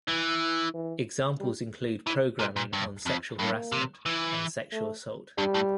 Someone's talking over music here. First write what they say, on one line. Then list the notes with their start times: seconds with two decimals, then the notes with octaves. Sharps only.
Examples include programming on sexual harassment and sexual assault.
0.08 E3
0.74 E3
1.40 G3
2.07 E3
2.39 A#2
2.56 A#2
2.73 G2
3.06 F2
3.39 G2 A#3
3.72 C3
4.06 E3
4.72 A3
5.37 G2 G3
5.54 A2